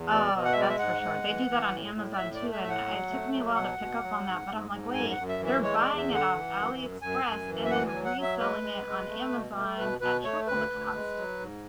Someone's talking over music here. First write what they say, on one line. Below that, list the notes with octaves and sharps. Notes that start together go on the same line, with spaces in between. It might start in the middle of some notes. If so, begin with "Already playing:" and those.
Oh, that's for sure. They do that on Amazon too, and I it took me a while to pick up on that, but I'm like, "Wait, they're buying it off Ali Express, and then reselling it on Amazon at triple the cost."
Already playing: E2
B2 D5
B2
F#5
E5
G#3 D5
E5
G#2 F#5
G#3
E3
E3
A2
A2
D5
A2 E5
D5
A3
E5
A2 E5
F#5
F#3
A3
F#3
B2 F#5
B2
F#3
G#2
G#2
G#2
F#2 G#5
F#5
F#2
E5
E3
E5
G#3 C#5
D5
E2
E5
D3
F#5
E3
F#2
F#2
F#2 G#5
F#2
E3
E5
D2 F#5
G#5
F#3
F#5
F#3
E5
G#3 B4
G#3
G#3
A3
B2
A3
B2 B4
B2 B4
A3 C#5
D2 B4
D2
G#3
F#3
G#2